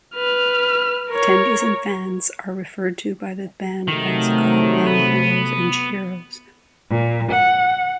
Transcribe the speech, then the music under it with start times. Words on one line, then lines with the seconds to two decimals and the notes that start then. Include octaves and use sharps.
Attendees and fans are referred to by the band as Goddamn Heroes and Sheroes.
0.15 B4 F6
1.09 A#4 C#5
3.88 C3 D#3 F#3 A3
4.87 B3
6.90 A#2
7.32 F#5